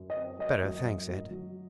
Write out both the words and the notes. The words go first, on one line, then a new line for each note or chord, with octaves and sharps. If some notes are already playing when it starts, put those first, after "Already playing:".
"Better, thanks, Ed."
Already playing: F#2
D#5
C4
F#2 D#5
F#3
F#2
F#3
F#3